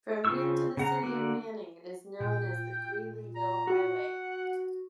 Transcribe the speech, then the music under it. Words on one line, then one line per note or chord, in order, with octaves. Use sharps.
From here to the city of Manning it is known as the Greeleyville Highway.
C#3 C4 F4 C#6 E6
C#3 F#5 A#5
D3 A#3 F#4 D5
A#2 G5
A#5
F#4 F#5